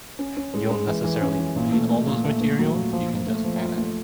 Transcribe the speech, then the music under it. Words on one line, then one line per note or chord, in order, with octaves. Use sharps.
you don't necessarily need all those materials, you can just kinda
C#4
C#4
G#3
G#3
E3
E3
C#4
E3
A#2
A3
A3
A#2
A3
A3
F#3
A#2
F3
F3
A3
F3
F4
A3